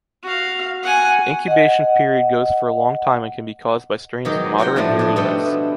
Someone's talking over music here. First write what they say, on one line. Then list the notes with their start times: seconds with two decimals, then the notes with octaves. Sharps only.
The incubation period goes for a long time and can be caused by strains of moderate virulence.
0.23 F#4 F5
0.83 F#5 G#5
1.48 D#5 F#5
4.25 B2 D#3 F#3 G#3 G4 G#4
4.58 F4 F#4 F#5 G5
4.76 A2 F3 G3 A3 B3 D4
4.99 D4 G#4
5.16 B2 G3 A3 B3 G5